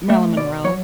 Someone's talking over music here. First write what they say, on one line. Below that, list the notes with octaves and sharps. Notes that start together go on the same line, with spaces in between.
Marilyn Monroe.
A3 E5
B2 D5
F#3 C#5